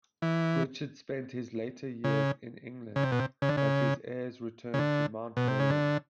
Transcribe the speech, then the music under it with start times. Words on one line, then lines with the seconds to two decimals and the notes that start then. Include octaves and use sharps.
Richard spent his later years in England, but his heirs returned to Mount Merrion.
0.22 E3
2.04 C#3
2.96 C#3
3.03 C3
3.12 B2
3.19 C3
3.42 C#3
3.49 D3
3.57 C#3
4.74 C#3
4.79 D3
5.37 B2
5.48 C3
5.59 C#3
5.70 D3